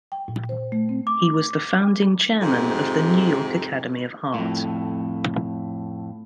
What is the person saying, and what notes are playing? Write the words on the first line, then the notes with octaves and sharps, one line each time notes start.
He was the founding chairman of the New York Academy of Art.
G5
A#2
C5
A3
C4
D6
F2 G#2 C3
F2 A2